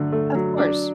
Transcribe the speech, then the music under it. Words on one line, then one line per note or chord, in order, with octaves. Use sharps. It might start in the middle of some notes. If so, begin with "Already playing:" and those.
Of course.
Already playing: D3 F#3 A3
A3
F#3
D4